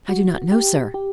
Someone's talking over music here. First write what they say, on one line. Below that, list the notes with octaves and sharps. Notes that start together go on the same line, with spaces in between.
"I do not know, sir."
F#4
G4
G4